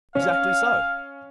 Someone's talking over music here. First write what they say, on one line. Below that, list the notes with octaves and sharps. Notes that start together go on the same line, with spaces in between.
"Exactly so."
C#4 C#5 F5